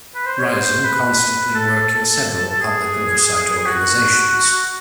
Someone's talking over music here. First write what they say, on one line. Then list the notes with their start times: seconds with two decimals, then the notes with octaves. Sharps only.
Ryazan constantly working several public oversight organizations.
0.15 B4
0.26 C5
0.38 C#5
0.49 C5
0.84 B4
1.55 A4
1.91 A4
2.61 G#4
3.66 F#4